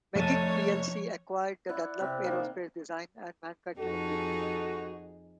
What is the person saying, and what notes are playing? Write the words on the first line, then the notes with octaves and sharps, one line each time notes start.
Meggitt plc acquired the Dunlop Aerospace Design and Manufacturing division.
F1 F3 A3 C#5 A5 D#7
E4 D5 F#5
C3
D#3 A#3
F2 D#4 F#4 G#4 A4